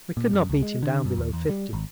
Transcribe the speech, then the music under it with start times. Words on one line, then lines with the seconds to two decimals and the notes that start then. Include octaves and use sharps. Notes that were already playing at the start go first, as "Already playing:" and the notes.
We could not beat him down below fifty....
0.17 A#2
0.33 F#2
0.50 C#2
0.63 G#3
0.83 D3
1.05 F#2
1.18 D#2
1.33 E2
1.50 G3
1.73 G#1